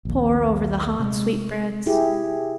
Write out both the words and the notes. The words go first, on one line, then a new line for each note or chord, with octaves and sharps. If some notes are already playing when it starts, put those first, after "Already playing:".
Pour over the hot sweetbreads.
A#1 D#2
C3 G#3
E4 G4 G#4